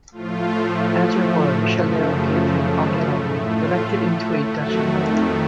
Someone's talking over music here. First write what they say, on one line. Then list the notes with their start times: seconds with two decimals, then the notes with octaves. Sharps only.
As a reward Richelieu gave him Aiguillon, erected into a duchy.
0.11 A2 F3 A3 F4
1.60 F#2 C#3 F3 F#3 A3 F#4
1.97 F4
3.08 A2 A3 D#4
3.45 F4
4.56 F2 D#3 F#3 A3 F#4